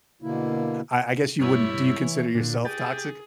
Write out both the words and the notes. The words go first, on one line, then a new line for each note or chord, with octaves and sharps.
I I guess you wouldn't do you consider yourself toxic?
B2 D3 A#3 E4
G2 B2 G3 E4 C#5
E5
E3
A#2 D3
G4 G#4 G5 A6